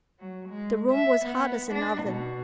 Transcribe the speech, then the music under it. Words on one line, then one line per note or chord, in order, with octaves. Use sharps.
The room was hot as an oven.
F#3
G#3
E5
B3
D4
B2